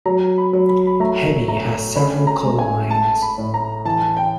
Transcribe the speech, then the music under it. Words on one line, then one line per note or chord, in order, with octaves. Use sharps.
Hebi has several coal mines.
F#3 A#5
B5
F#3
B5
B5
A3 A#5
A3 A#5
C#4 B5
A#5
G#3
G#5
A3 A5
B5
A2
A#5
E3 A5
G5